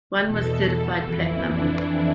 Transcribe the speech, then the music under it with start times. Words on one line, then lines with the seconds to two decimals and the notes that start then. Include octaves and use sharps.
One was certified Platinum.
0.25 E2 B2 A4
0.66 A4
1.07 F2 E3 E4
1.49 D4